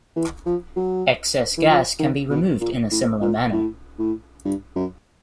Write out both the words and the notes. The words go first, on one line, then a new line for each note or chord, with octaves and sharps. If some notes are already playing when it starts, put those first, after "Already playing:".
Excess gas can be removed in a similar manner.
E3
F3
F#3
E3
F3
D#3
B2
A#2
A2
A#2
A2
A2
G2
F#2